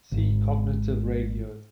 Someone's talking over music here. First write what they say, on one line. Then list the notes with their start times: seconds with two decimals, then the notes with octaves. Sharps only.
See cognitive radio.
0.12 G#1 G#2